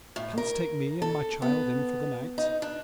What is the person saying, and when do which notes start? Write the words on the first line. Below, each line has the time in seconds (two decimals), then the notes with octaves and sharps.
"Canst take me and my child in for the night?"
0.16 A2
0.38 A#4
1.02 A4
1.42 B3
2.38 D#4
2.62 D4